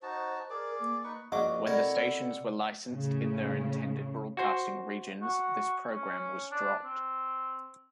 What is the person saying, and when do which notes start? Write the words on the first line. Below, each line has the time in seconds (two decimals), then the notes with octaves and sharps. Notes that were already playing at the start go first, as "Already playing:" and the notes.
When the stations were licensed in their intended broadcasting regions, this program was dropped.
0.02 D#4 F#4 C5 A5
0.50 G#4 A#4 D5 D6
0.80 A#3
1.04 D#4 B4 C#6
1.32 A#1 F#4 D#5 F#5 C#6 D6
1.67 C3 E4 A4 A#4 D5 F#5
2.88 A2 C#3
4.37 F#4 C5
5.22 F#4
5.90 C#4
6.52 D4
6.84 C4